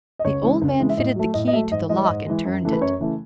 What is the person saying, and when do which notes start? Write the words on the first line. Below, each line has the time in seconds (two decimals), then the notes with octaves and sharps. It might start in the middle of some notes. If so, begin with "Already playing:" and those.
The old man fitted the key to the lock and turned it.
0.19 D#5
0.25 C#2 C#5
0.42 C#3 E3 G#3
0.62 C#2
0.80 C#3 E3 G#3
0.89 E5
0.97 A2 D#5
1.16 F#3 A3
1.34 A2 D#5
1.48 D#5
1.53 F#3 A3 E5
1.71 G#2 D#5
1.89 E3 G#3 D#5
1.97 C#5
2.05 G#2 D#5
2.26 E3 G#3
2.45 F#2
2.62 C#3 E3 A3
2.72 B4
2.81 F#2 C#5
3.00 C#3 E3 A3